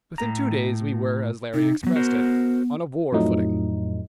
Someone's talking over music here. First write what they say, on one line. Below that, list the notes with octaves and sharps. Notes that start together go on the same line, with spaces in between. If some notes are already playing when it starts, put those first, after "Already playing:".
Within two days we were, as Larry expressed it, on a war footing.
A2 A#5
C3 D#4
E2 F#3 B3
F#4 A#4 C5
F2 A2 F3 F#3 A3 D#4